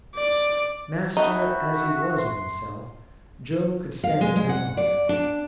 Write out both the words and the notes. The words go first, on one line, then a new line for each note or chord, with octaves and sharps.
Master as he was of himself, Joam could stand it no longer.
D5
D#4 F#4 E5 G5 A5 B5
C6
F5
G#3
G#3
F#5
D5
D4